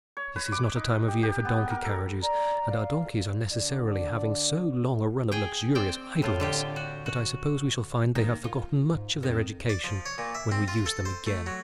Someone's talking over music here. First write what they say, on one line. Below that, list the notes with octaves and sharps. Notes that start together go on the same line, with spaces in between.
This is not a time of year for donkey-carriages, and our donkeys are necessarily having so long a run of luxurious idleness that I suppose we shall find they have forgotten much of their education when we use them again.
C#5
B4
D6
D#4
G4
G4
B3
A#4
A4
D5 A#5
F5
D3 D5
G#4 G5
C4 D5 G5
A2 F4
D3 F4 G4
F#4
F#4
D#3 A#3
F4
G#2
F2 D#3
D5
F3
C#5
A#2
E5
C4
F4
A4
C5
A3
F#3